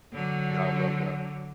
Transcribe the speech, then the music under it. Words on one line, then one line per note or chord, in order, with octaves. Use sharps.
Yeah, I love that.
D3 F#3